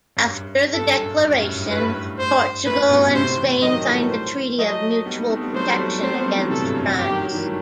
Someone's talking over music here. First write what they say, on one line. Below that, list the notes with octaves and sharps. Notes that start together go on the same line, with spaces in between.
After the declaration, Portugal and Spain signed a treaty of mutual protection against France.
F#2
G2
G2 A4
G2
F#2
G2
G2
F#2 A2
G2
G2
A2
G2 B4
C5
F#2 A2 B4
G2 B2
B2
A2 C3 C5
C3 E3
D#3 F#3 D#5
A3
E3 G3
C5
F#3 A3 D#5
G3 B3
B3 D#4
A3 C4
G3 B3
F#3 A3 C5
G3
F#3 A3
A3 C4 C5
G3 B3
F#3 A3
E3 G3
C3 E3 A4
G2
F#2
G2
G4
D#3 F#3
D#3 F#3
E3 G3
F#3 A3